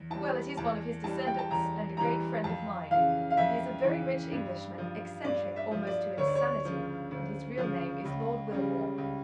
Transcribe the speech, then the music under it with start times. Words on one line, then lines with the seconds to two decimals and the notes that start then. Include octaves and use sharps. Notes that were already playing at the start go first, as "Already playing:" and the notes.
"Well, it is one of his descendants, and a great friend of mine; he is a very rich Englishman, eccentric almost to insanity, and his real name is Lord Wilmore."
Already playing: E2
0.10 E3 G3 A5
0.57 E2 A5
1.04 E3 G3 A5
1.27 G5
1.38 A5
1.51 E2 A#5
1.97 E3 G3 A#5
2.44 F2 A5
2.91 C#3 E3 F5
3.30 F5
3.37 F2 E5
3.84 C#3 E3
4.32 G2
4.78 F3
5.24 G2 D5
5.56 E5
5.71 F3
5.87 D5
6.17 D2 C#5
6.27 D5
6.35 C#5
6.65 C#3 F3
7.11 D2
7.58 C#3 F3
8.05 C#2
8.52 C#3 G3
8.98 C#2